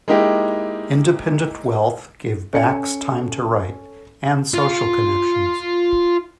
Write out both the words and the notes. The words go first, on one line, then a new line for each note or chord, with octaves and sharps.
Independent wealth gave Bax time to write, and social connections.
G#3 A#3 D#4 E4 G4
C#4 A4 C#7
F4 F5